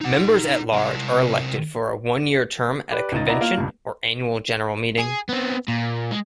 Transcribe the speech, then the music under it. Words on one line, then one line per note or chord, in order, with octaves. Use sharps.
Members-at-Large are elected for a one-year term at a Convention or Annual General Meeting.
D#4 F#5
C3 A#4
G4 B4 D5
C#2 D#4 A6
B3 D4 E4 D5 D#5 A#5
A#3 F4 A#4
C#2 G2
G#4
B3 C4
A#2
G#3